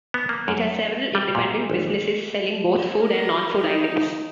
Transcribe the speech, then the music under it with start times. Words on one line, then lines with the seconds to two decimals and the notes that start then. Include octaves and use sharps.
It has several independent businesses, selling both food and non-food items.
0.14 B3
0.29 A#3
0.48 F#2
1.15 G3
1.35 A#2
1.70 G#1
3.04 A#4
3.58 D#4